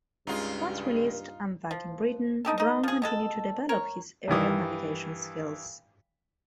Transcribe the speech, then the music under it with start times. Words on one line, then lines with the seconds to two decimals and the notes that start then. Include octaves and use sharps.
Once released and back in Britain, Brown continued to develop his aerial navigation skills.
0.27 C#2 G2 C#3 G#3 D#4 F4
1.71 F3
2.45 D3 D#4 G4 A4
2.58 D#4 D#5
2.83 F3 G#4
3.02 B2 G#3 A4
3.69 A#4 C#5
4.28 G2 D#3 E3 D#6